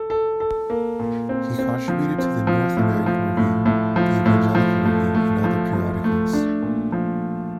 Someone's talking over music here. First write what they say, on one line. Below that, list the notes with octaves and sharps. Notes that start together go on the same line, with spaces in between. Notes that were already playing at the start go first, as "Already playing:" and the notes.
He contributed to the "North American Review", the "Evangelical Review" and other periodicals.
Already playing: A4
A4
A4
A#3
A#2
C4
C4
F3
C4
F3
A2
F3
A2
A2
F3
A2
F3
A3
A3
F3
F3
A3
D4
A#2
F3